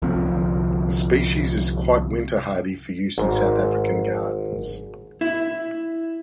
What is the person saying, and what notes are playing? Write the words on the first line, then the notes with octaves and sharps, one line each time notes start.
This species is quite winter hardy for use in South African gardens.
C2 D3 F3 C4
G#1 G#2 F5
E4